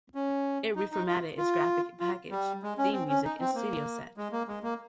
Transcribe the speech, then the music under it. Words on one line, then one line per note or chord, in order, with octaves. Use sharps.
It reformatted its graphic package, theme music, and studio set.
C#4
D#4
D#4
F4
F4
F4
G3
G#3
C#4
C4
C#4
D#4
C4
A#3
G#3
A#3
G#3
A#3